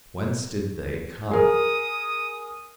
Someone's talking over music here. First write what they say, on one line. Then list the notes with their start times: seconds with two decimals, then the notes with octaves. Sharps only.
Whence did They come?
1.31 G#4 A#4 D#6